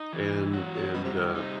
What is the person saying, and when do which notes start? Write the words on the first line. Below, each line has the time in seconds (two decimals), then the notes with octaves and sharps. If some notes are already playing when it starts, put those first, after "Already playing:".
and and, uh
Already playing: D#4
0.13 E3
0.53 F#3 F#4
0.74 F#3
0.94 B2 G3
1.05 C3
1.15 D#3
1.35 C3 D#4